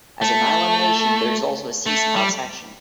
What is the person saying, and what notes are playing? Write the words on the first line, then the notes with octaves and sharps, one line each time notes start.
As an island nation, there is also a Sea Scout section.
A3
A3
G3